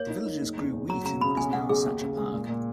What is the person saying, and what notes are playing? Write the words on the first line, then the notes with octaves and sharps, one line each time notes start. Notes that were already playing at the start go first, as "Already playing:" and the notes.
The villagers grew wheat in what is now Sacher Park.
Already playing: A#3 C#5
D#4
D#4
F#1
E2
F#1
F#3 A#5
C#3 A#5
C#3 B5
B1 G#5
B1 F#5
B1 G#4
D#2
C#3
G#3
A#2
A#2